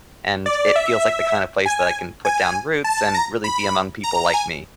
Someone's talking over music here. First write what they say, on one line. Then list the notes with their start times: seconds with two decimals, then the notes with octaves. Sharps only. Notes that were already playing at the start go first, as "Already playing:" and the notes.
and it feels like the kinda place that I can put down roots and really be among people like me.
0.46 D5
0.76 E5
1.66 G#5
2.25 G#5
2.84 A5
3.14 A#5
3.44 B5
4.04 A#5
4.34 G#5